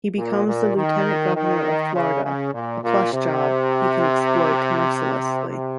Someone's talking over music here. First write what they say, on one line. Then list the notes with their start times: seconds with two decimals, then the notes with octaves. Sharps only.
He becomes the lieutenant governor of Florida, a plush job he can exploit mercilessly.
0.17 A#2
0.47 A#2
0.76 D#3
1.36 D#3
1.95 C#3
2.25 C#3
2.54 A#2
2.83 A#2
3.13 C3
5.48 C3